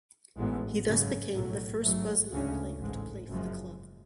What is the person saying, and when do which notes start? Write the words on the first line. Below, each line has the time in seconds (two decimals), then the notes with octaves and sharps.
He thus became the first Bosnian player to play for the club.
0.37 A1 G#2 G#3 B3
0.85 G#1 F#2 C#3 F#3
1.34 B1 A2 F#3
1.83 A1 G#2 F#3 A3
2.32 D2 C#3 G#3 C#4
2.80 A1 G#2 G#3
3.29 F#1 F#2 F3 G#3